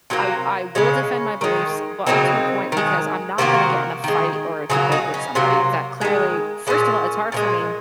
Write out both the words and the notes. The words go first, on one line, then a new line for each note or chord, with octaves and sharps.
I I will defend my beliefs, but up to a point, because I'm not gonna get in a fight or a debate with somebody that clearly first of all, it's hard for me
C3 F#3 A#3
C#3 G#3 C#4
D#3 G#3
C#3 F#3 A#3 C4 D#4
D#3 G#3
C3 D#3 A#3 F#4 A#4
D#3 G#3
C#3 F#3 A#3 F4 G#4
D#4 F#4
C#4
C3 F#3 A#3
D#3 G#3
A#2 G#3 C#4
A#2 F3 G#3